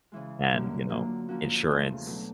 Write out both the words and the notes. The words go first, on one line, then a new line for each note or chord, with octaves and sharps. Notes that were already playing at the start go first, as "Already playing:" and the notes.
and, you know, insurance
C#3 E3 G#3
F#2 D3 G3 A#3 C#4
F#3 A#3 D4 F4
D3 F3 A#3 C#4 F#4
E2 C#3 F3 A3
B2 F#3 A3 D4